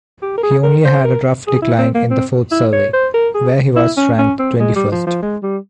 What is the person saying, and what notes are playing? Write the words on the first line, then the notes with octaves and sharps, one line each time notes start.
He only had a rough decline in the fourth survey, where he was ranked twenty-first.
G4
A#4
G#4
A#4
C5
A#4
G#4
E4
C4
A#3
C4
E4
C#5
C5
A#4
G#4
E4
C#4
C#4
C4
G#3
G3
F3
F3
G#3
G3